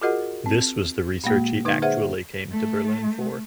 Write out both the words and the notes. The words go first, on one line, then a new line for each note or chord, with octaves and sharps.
This was the research he actually came to Berlin for.
F4 F#4 G#4 A#4 D#5 F#5
C4
A#2 G#3 A#3 F#4
D3 D#4 B4
G#4 B4 C5 E5 F#5
A3